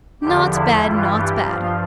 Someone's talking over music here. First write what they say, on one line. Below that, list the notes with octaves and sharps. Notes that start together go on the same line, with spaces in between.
Not bad, not bad.
E2 D3 F3 G4
E4
G2 E3 G3 F4
G4
G2 F3 F4